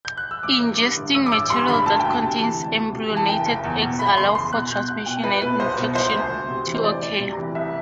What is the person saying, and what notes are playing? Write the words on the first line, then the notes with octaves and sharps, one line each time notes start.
Ingesting material that contains embryonated eggs allows for transmission and infection to occur.
G6
F#6
E6
A1 D6
A1
G2
D3
A1 E6
D6
A1 E6
G2 C6
D3 B5
D2 A5
D2 G5
A5
C3
E3
D2
D2
C3
E3
A5
F#1 G5
F#1
E2
B2
F#1 B5
F#1 C6
E2 C6
B2 F#6
B2 G6
C2 F#6
B2 G5
C2 B4
B2 B4
C2 C5
B2
C2 C5
D2
D2
C3
E3
C5
D2 D5
D2
C3
E3
C2 E5